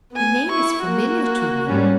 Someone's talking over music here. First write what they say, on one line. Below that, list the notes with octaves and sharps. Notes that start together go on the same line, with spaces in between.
The name is familiar to me.
B3 G#5
E4 C#6
A#3 F#4
G#2 G3 C#4